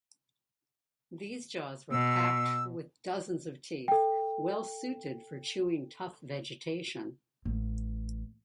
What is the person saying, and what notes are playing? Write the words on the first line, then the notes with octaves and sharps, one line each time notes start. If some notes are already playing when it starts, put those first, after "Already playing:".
These jaws were packed with dozens of teeth, well suited for chewing tough vegetation.
B2 E6
A4 G5
A1